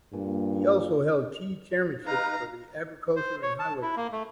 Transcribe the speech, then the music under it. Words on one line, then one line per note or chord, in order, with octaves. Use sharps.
He also held key chairmanships for the agriculture and highway committees.
G2 A#2
D#4 B4 F5 A#5
C5
C#5
A5
E4
A#3
A3